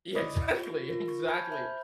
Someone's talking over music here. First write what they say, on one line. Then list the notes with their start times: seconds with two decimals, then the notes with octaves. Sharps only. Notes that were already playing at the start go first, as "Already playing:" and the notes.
Yeah, exactly. Exactly,
0.15 E4 D5 D#5 B5 D6 D#6
0.52 F4 G4
0.91 F4 A#4
1.08 C#6
1.28 G#5 A5 B5 F6 G6 G#6
1.50 C5 E5 B5 F6 G6